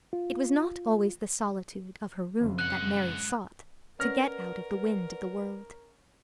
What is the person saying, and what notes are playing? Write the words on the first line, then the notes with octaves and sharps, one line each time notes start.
It was not always the solitude of her room that Mary sought to get out of the wind of the world.
F4
F#1 F2 F4
G#3 F#5 F#6
C#4 A#4 B4 D5 F#5 F6 A#6